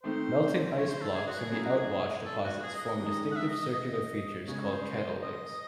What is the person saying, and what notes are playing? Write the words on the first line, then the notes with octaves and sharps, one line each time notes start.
Melting ice blocks in the outwash deposits formed distinctive circular features called kettle lakes.
D#3 A3 C4 C5
C#5
C5
A4
G#4
F#4
G#4
A2 F#3 C#4 E4 G#4
F#4
G#4
A4
F#4
G#4
D#5
D#5
D#3 G#3 D#4
F#5
E5
D#5
D#5
D#5
C#3 G#3 C#4 C#5
C#5
C5
D#5